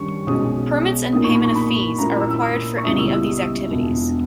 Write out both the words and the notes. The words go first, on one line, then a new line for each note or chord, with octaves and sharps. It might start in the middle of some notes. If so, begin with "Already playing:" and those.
Permits and payment of fees are required for any of these activities.
Already playing: G2 D#3 G3 C#4 C#6
B1 B2 G#3 C#4 D#6
A#2 A#3 D#4 D#6
C#6
B5
C#6
B5
A#2 A#3 C#4 E4 A#5
B5
E6
E6
D#6
C#6
C#2 C#3 G3 B3 E4 D#6
E6
E6
E1 E2 B2